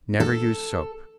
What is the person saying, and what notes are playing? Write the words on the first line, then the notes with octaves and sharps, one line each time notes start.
Never use soap.
A4